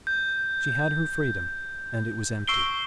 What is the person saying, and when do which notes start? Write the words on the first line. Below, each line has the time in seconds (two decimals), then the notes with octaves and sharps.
She had her freedom, and it was empty.
0.07 G6
2.48 C#6 E6 C7 D7 G7